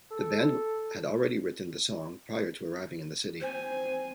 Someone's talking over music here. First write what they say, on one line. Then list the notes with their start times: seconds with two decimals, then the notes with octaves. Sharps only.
The band had already written the song prior to arriving in the city.
0.11 A4
3.41 C4 C5 G#5